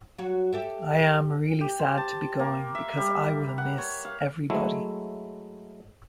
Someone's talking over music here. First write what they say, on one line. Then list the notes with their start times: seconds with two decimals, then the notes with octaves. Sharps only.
I am really sad to be going because I will miss everybody.
0.18 F#3 F#4
0.53 G4 A4 E5
1.61 G4
1.79 C5
1.97 A5
2.39 A#3
2.75 E5
2.97 G3
3.58 F#5
3.78 C#5
4.05 F5
4.50 F#3 G#3 A3 E4